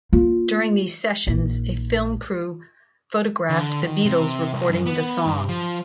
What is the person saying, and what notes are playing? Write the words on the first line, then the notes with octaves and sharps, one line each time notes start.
During these sessions, a film crew photographed the Beatles recording the song.
A#3 F4
A#1 D#4
D3
D#3
C3
C2
F#2
B3
G2
F3